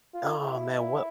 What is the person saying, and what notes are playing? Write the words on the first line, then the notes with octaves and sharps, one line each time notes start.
Aw, man, what
F4
E4